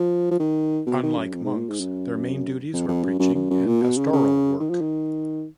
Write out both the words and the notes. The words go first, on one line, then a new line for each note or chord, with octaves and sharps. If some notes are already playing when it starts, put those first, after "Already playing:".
Unlike monks, their main duties were preaching and pastoral work.
Already playing: F3
F3
D#3
B2
D#3
F#2
F2
G#2
A#2
G#2
F#2
F2
F2
F#2
F#2
F#2
F#2
A#2
B2
C#3
C#3
D#3
F3
D#3